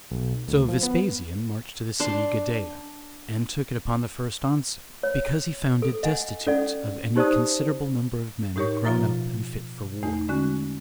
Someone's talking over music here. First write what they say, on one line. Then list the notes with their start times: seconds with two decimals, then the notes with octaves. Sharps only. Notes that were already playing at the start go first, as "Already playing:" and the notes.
So Vespasian marched to the city Gadara, and took it upon the first onset, because he found it destitute of any considerable number of men grown up and fit for war.
0.11 B1
0.48 D2
0.68 F3
0.83 B3
2.00 D4 C6
5.03 C#5
5.82 A4
6.03 D#5 F#5 G#5
6.47 C#4 A4 D5 F#5
7.16 D#4 G4 C5 D5 A5 D#6
8.56 A2 D#4 G4 A#4 C#5 C#6
8.84 B2 F3 F4 E5 A#5 A6
10.03 E2 A3 D#4
10.29 D3 G#3 C#4 F#4 F#6